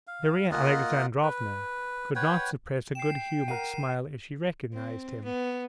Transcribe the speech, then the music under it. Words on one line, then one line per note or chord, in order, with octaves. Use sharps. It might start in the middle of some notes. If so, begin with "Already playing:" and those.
Darya Alexandrovna could not suppress a good-humored smile as she recognized him.
F5
A#3 F4 D#5 F#5
B4
B4 C#5 F#5 G5
G5 C7 E7
A#4 F#5 C7 D#7
C4
B3